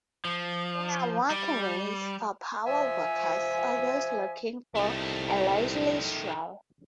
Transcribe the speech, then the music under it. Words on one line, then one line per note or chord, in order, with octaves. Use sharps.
There are walkways for power walkers or those looking for a leisurely stroll.
F3
G3
F3 E5 G#5
C2 D#3 A3